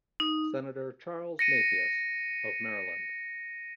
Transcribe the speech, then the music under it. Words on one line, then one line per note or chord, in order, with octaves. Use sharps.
Senator Charles Mathias of Maryland.
D#4
A#6 C#7 D#7